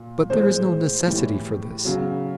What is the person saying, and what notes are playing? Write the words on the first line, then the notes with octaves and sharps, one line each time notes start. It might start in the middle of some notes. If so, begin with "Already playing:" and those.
But there is no necessity for this.
Already playing: A#2
A2 E3 G#3 C5
A2 E3 G3
C#3 F#3